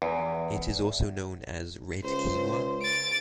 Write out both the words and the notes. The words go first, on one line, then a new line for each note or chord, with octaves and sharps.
It is also known as red quinoa.
E2
C#2 C5
A6 D7